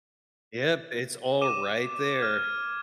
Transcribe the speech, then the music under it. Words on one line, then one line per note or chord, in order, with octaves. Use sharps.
Yep. It's all right there.
D6 D#7 E7
F6 G#6